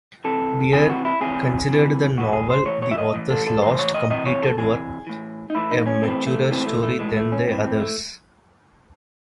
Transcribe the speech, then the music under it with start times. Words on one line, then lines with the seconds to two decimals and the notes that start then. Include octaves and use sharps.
Dear considered the novel-the author's last completed work-a maturer story than the others.
0.24 C3 E3 A4
0.73 C3 E3 G#4
0.90 F#4
1.05 E4
1.21 C3 E3 G#4
1.69 C3 E3
2.18 A2 E3 F#4
2.33 G#4
2.50 C5
2.65 A2 E3 C#5
2.82 C#5
2.91 E5
2.98 D#5
3.14 A2 E3
3.30 A4
3.47 A4
3.62 A2 E3 C5
3.79 C#5
3.94 D#5
4.10 C3 E3 D#5
4.26 C#5
4.43 A4
4.58 C3 E3 G#4
5.07 A2 E3
5.50 D#4
5.55 A2 E3 E4
5.71 D#4
5.87 C#4
6.03 A2 E3 C4
6.27 A3
6.51 A2 E3 C4
6.67 A3
6.83 A3
6.99 A2 E3 G#3
7.16 A3
7.32 C#4
7.48 A2 E3 C4
7.64 C4
7.80 A3